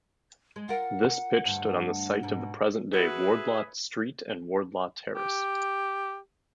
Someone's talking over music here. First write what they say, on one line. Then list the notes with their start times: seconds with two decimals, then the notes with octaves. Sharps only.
This pitch stood on the site of the present-day Wardlaw Street and Wardlaw Terrace.
0.56 G#3
0.69 F4 A#4 F#5
1.45 D2 G2
2.23 G#2 B2
2.93 F#4 G#4 B4 E5 G#6 C#7
5.15 G4